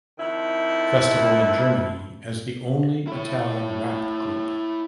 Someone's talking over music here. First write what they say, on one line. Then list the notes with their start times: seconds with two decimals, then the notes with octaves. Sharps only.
Festival in Germany as the only Italian rap group.
0.18 F2 D#3 E4
3.07 E4 C#5